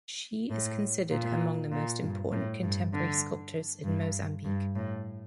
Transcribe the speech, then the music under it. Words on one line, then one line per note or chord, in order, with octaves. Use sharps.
She is considered among the most important contemporary sculptors in Mozambique.
A2
A#2
A#2
G2
A2
G2
D3
G2
G2
A2